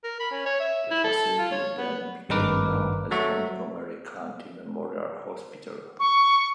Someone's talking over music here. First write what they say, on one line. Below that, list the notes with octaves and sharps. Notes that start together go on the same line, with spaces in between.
The facility then became known as Montgomery County Memorial Hospital.
A#4
B5
C#4
C#5
E5
E4
A4
F4
C#5
B3
G#1 G2 D#4 A#4 B4 D6
F#3 A3 F#4 E5 C#6
C#6